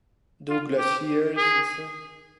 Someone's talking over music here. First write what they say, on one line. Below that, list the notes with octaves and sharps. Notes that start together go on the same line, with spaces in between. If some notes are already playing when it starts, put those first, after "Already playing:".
Do Glaciers Listen?
F4
G4
G#4